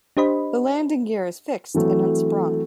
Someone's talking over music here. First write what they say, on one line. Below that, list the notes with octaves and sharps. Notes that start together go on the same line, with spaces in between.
The landing gear is fixed and unsprung.
D4 G4 C5 D#5 B5
E3 F#3 A3 C4